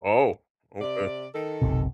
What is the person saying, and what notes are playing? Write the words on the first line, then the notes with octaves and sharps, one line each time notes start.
Oh. Okay.
C3 D5
D#3 A4
F#1 B1 C3